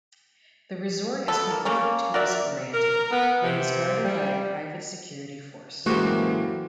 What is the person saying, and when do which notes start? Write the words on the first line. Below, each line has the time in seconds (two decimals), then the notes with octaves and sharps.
The resort is completely tourist-oriented, and is guarded by a private security force.
1.28 B3 A4
1.50 A#3
1.65 C#3 A#3 C#4
2.14 F#4 A#4 D5 E5
2.74 A#4
3.11 B3
3.43 C3
4.04 G3
5.86 F#2 A2 E3 G#3 A#3 F#4 G4 C5